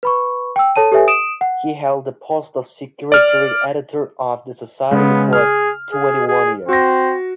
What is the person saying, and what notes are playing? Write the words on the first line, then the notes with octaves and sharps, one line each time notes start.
He held the post of secretary-editor of the society for twenty-one years.
B4 B5 C#6
G5 E6
A4 C#5 A5 D#7
G4 A4 B4 C#5 E5 G#5
D#6 D7 E7
F#5
D5 F6
C#3 G#3 B3
G#4 F6
G#4
G#4
C4 F#4 A#6